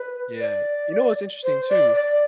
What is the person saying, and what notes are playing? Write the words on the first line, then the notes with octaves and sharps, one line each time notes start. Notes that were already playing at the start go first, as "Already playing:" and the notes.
Yeah. You know what's interesting, too
Already playing: B4
D5
C5
D5
D5